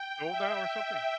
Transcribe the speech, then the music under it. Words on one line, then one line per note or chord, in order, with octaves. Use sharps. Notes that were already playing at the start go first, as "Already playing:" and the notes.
old now or something.
Already playing: G5
E5